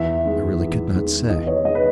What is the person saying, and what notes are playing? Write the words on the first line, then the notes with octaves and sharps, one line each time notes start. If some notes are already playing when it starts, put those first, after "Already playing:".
'I really could not say.
Already playing: E2 E5
D#3 G#3
E2
D#3 G#3
E2 D#5
C#5
D#3 G#3 D#5
B4